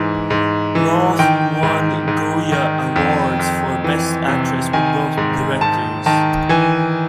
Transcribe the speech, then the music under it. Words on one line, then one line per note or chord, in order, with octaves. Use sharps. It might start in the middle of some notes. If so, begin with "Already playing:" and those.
Roth won Goya Awards for Best Actress with both directors.
Already playing: G#2 E3
G#2
E3
D#3 G5
G#2
G#2
D#3
F2
F2
E3
C3
D#3 G#5
G#2
G#2 A5
D#3 A5
E3 G#5